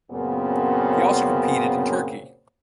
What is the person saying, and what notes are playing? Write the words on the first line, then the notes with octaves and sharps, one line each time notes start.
He also competed in Turkey.
F#2 A#2 C#3 B3 C4